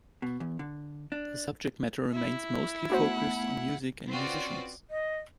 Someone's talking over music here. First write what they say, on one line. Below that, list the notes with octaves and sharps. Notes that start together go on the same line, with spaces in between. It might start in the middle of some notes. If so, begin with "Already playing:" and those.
The subject matter remains mostly focused on music and musicians.
B2
E2
D3
D4
E4
A3 B3 D4 F#4 C5 F#5
C4 C#4 F4 F#4 B4 D5
D#5